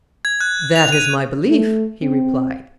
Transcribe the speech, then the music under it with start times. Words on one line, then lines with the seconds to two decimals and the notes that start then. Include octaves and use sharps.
That is my belief, he replied.
0.25 G#6
0.41 F#6
0.76 F7
0.92 D#7
1.47 A3
2.02 C4